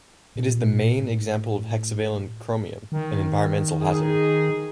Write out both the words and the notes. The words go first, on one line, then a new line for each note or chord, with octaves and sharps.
It is the main example of hexavalent chromium, an environmental hazard.
A#2
A2
D#3
D#4 G#4